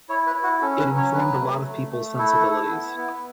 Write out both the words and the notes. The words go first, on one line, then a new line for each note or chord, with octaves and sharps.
It informed a lot of people's sensibilities.
E4 C#5
B4
E4
F#4
C#4 A4
B4
F#3
C#5
F#3 B4
A3
A3
A3
E4 A4
E4
B3
B3